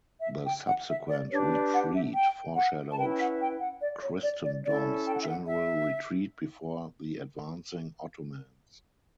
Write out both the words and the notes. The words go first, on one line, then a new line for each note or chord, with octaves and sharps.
The subsequent retreat foreshadowed Christendom's general retreat before the advancing Ottomans.
E5
G5
F#5
E5
D5
D4 G4 B4 C#5
D5
F#5
E5
G5
F#5
A5
C#4 E4 B4 G5
F#5
G5
F#5
D5
C#5
D5
D5
C#4 E4 A4 D5
G5
F#5
E5
F#5
E5